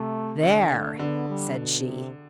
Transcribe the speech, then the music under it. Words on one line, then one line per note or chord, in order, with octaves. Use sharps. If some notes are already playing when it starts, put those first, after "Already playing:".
"There!" said she.
Already playing: C3 A3
D3
A3
D3 B3
G3
B2
C3